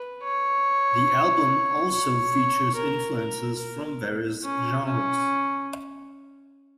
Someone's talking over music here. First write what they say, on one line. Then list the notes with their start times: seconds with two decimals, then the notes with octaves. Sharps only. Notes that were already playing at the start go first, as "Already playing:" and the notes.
The album also features influences from various genres.
Already playing: B4
0.24 C#5
1.91 C#5
2.75 A#4
3.17 A#4
3.59 A#4
4.43 C#4
4.85 C#4